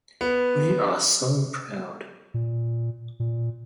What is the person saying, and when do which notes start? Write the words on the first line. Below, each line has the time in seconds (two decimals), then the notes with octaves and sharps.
We are so proud.
0.21 B3
2.34 A#2
3.20 A#2